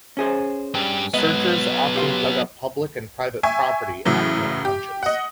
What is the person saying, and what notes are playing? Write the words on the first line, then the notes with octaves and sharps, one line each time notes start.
Searchers often dug up public and private property acting on hunches.
C#4 G#4 C5
G2 G4
G#2 F#3 B3 D#5
G4 F5 C6
E5 G5 G#5 C#6
A2 C#3 E3 F#3
G4
D#5 F#5